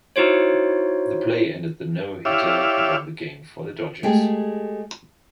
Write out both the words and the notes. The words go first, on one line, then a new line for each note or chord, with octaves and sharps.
The play ended the no-hitter and won the game for the Dodgers.
D#4 E4 F#4 C5 C#5
E4 G4 C#5 D5 E5 F5
G#3 A3 G4 G#4